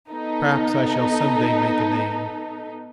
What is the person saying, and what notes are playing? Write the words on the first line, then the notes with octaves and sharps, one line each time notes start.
Perhaps I shall some day make a name.
B3 D#4 A4